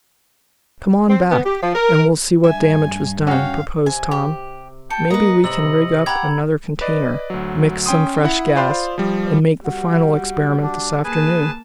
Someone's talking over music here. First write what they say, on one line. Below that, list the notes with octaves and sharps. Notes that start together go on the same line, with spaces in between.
"Come on back, and we'll see what damage was done," proposed Tom. "Maybe we can rig up another container, mix some fresh gas, and make the final experiment this afternoon."
C4
B3
G4
F3
A#4
G2 E5 G#5
C#4 F#4 F5 G5
C3 G#5
G4
G5 A5 C#7
A#3 B4 D#5 A#5
C3 D#5 E6 F#7
G4 F#5 A#5 B5 G#6
B4 D5 D#5
D2 F#3
C#4 G5 C6 D#6
E4 F#5
F4 C5 D5 F5 B5 C6
F3 G3
G3 F#4
D4
A#3 G#4 B4 G#5 A5